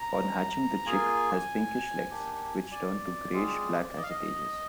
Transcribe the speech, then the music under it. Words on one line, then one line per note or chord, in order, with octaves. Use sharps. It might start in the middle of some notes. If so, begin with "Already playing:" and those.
On hatching the chick has pinkish legs, which turn to greyish-black as it ages.
Already playing: A#5
A#3 F4 G#4 G#5
A#3 D4 G4
D5
G#3 C4 F4 G#4
D#5
F5
D#5